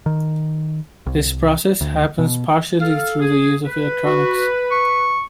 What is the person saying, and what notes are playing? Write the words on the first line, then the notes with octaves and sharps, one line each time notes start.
This process happens partially through the use of electronics.
D#3
C2
D2
B2
A4 F5
G#4
B4
F#4
C#6